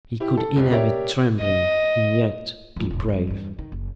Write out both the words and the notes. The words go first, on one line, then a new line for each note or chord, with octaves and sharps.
He could "inhabit trembling," and yet be brave.
E4 G4
A4
F1 C#2
G4 A#4 C#5 D5 E5
D#5
D2 F3
E1 A2
F#3 G3
E2 G2
D#3
F#1